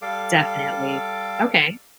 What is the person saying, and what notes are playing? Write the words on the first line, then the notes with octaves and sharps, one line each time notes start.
definitely, okay.
G3 A4 F5 D6